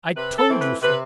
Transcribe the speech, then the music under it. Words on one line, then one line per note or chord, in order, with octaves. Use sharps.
I told you so.
C3 B4
A4
E3 A3 C4
B4
C3 B4